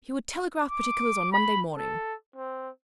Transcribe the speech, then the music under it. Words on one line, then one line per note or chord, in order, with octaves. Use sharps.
He would telegraph particulars on Monday morning.
D6
B5
A4
C4